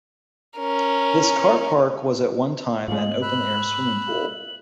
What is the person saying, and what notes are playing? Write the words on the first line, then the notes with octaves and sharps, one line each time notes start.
This car park was at one time an open-air swimming pool.
C#4 A#4
G#2 G#3 A3 F4 F#7
B5 E6 F#6